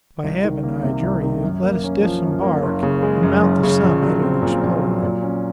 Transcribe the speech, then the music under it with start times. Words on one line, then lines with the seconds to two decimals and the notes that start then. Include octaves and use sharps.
By Heaven, I adjure you, let us disembark, and mount the summit and explore!
0.23 C2
0.44 D#3
0.63 A#3
0.83 C3
1.03 C2
1.23 D#3
1.43 F#2
1.63 A#3
1.84 C#4
2.03 F3
2.23 F#2
2.42 A#3
2.62 F#1
2.83 C#3
3.03 G#3
3.23 F#2
3.42 F#1
3.63 C#3
3.83 A#1
4.03 F#3
4.22 C4
4.42 A#2
4.63 A#1
4.83 F#3
5.03 A#2
5.23 C#4